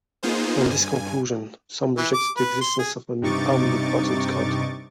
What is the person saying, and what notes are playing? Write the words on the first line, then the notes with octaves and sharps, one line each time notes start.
From this conclusion, some reject the existence of an omnipotent God.
A#3 B3 D#4 F4 G#4 C5
G2 G#5
E3
D6
B4
C6
G#4
G2 C3 D#4 C#6 D6 A6